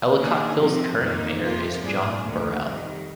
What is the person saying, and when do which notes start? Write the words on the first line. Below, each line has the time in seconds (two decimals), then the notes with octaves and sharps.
Ellicottville's current mayor is John Burrell.
0.17 D#3 A#3 D4 G#4
0.58 C3 F3 C4
0.99 F2 D#3 A#3 D#4
1.41 F2 C3 F3 A#3 F4
1.82 G#2 G3 D4 G#4
2.23 D2 C3 D#3 A#3
2.64 F2 D#3 G3